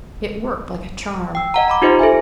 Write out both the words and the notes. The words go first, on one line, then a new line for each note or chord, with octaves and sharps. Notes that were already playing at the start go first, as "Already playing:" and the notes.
It worked like a charm.
G5 E6
D#5 F#5 A#5
A#5 B5 D6
D#4 F4 G4 C5 D#5
A4 C5 E5 G#5